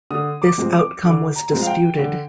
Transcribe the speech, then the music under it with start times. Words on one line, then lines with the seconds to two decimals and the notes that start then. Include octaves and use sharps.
This outcome was disputed.
0.10 D3 D#6
0.42 D6
0.58 F3 G#3 C4
0.73 D6
1.05 D3 D6
1.36 A#5
1.52 F3 G#3 C4
1.62 F5
1.67 G5
1.99 D3